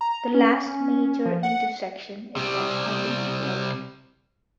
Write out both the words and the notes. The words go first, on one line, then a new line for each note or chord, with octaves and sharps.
The last major intersection is at Harbins Road.
A#5
C#4
F3
F#5
C3 G3